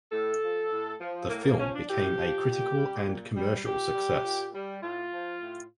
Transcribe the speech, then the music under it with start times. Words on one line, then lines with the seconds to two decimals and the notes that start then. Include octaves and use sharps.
The film became a critical and commercial success.
0.12 A2 A4
0.42 F3
0.71 A2
1.01 F3
1.30 A2 A#3
1.44 A#3
1.59 F3 C#4
1.74 D4
1.89 A2 G4
2.18 F3
2.48 A#2
2.77 G3
3.06 A#2
3.36 G3
3.65 A#2 G4
3.94 G3
4.24 A#2
4.53 G3
4.82 A2 F4
5.12 F3
5.41 A2